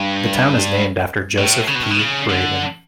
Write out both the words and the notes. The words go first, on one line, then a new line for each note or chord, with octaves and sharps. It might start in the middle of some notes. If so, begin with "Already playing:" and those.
The town is named after Joseph P. Braden.
Already playing: G2
A2
C#3
B2
A2
B2
C#3
D3